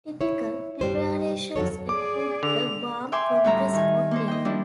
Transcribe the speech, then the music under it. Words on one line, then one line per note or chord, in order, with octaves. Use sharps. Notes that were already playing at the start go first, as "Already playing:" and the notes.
Typical preparations include a warm compress or tea.
E4 C#5
G2 G3 C5
F2 F#3 A4 C#5
G#4 D5 D6
D3 F7
E5 G5 G#5 C6 D6
D2 A2 G3 E5 A#5
D#3 G#5
A#3 D#4 C5
D#5 G5
F3 G3 D4 E4